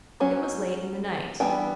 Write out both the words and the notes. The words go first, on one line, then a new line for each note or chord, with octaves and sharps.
It was late in the night.
F#3 C#4
E3 G3 B3 D4 G5